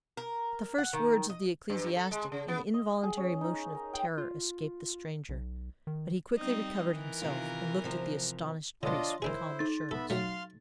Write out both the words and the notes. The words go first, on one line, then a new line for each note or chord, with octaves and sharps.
At the first words of the ecclesiastic an involuntary motion of terror escaped the stranger; but he quickly recovered himself, and looked at the astonished priest with calm assurance.
A#4
F#5
D#3
D#5
G2
A4
G#3
C#3
B3
D#5
G#4
C#4
D#4
A#4
G5
F4
B1
D#3
G3 C4 D#4
E3 A#4
C3 D#3 F4
C3 F3
D3 B3 D4 F4 C#5 D#5 C6
D#3 D4 E4 G#4 C5
D#4 A6
B3 A4 E5 B5
F#3 A3 F5 C6 F6